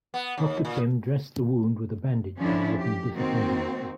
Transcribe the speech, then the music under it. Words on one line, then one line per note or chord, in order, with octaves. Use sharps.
Doctor Kim dressed the wound with a bandage while looking disappointed at me.
B3
D#2
A#2
D3 F3 C#4 D4 E4
G4
D#3 A#3 C4 F#4